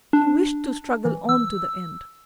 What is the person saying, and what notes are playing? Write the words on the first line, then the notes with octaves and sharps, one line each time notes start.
He wished to struggle on to the end.
D4
E3
E6